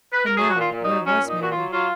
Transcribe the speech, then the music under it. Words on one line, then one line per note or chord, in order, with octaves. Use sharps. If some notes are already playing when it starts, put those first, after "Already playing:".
And now, where was Mary?
B4
A#4
F#3 G#4
F#4
A#2
F4
A#2
D#4
F#3
F#3 C#4
A#2
D#4
A#2 F#4
F4
F#3
F#3 F4